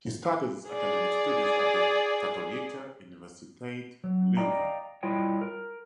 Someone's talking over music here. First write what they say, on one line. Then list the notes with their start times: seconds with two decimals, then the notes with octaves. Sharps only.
He started his academic studies at the Katholieke Universiteit Leuven.
0.70 G#4 D5
4.04 F#3
4.37 D5 D#5 F5 G5 A#5
5.03 G3 E4 F4 C#5 D#5 G5
5.41 A#4